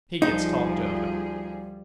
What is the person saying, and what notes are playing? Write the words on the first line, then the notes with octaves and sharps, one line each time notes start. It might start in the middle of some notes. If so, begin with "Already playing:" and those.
He gets talked over.
D2 F3 G3 D#4 G#4